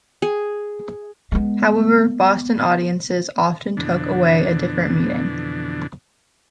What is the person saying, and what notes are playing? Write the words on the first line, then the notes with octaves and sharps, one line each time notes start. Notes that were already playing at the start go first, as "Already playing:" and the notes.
However, Boston audiences often took away a different meaning.
G#4
G#3 B3
F2 B2 D3 E3 D4